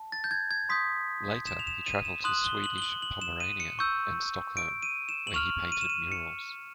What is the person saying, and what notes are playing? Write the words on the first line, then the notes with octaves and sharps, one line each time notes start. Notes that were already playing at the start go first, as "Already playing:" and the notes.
Later he traveled to Swedish Pomerania and Stockholm, where he painted murals.
Already playing: A5
A6
G6
G#6
G#6
C6 D#6 G6 B6
E7
F7
E7
D#7
E7
C6 D#6 F#6 F#7
G7
F#7
G7
F#7
F#7
E7
D#7
C#7
C#6 E6 G6
D7
D#7
E7
F#7
C#6 F6 F7
D#7
E7
D#7
C#7